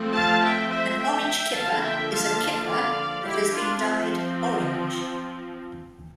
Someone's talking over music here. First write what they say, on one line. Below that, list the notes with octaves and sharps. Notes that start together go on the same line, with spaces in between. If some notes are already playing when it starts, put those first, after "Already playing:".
An "orange kipper" is a kipper that has been dyed orange.
Already playing: F3 A3 C4
F5 A5
E5 G5
C5 E5
E5 G5
D3 F3 A#3 F5 A5
E5 G5
F5 A5
D5 F5
E4 G4
D4 F4
F3 C4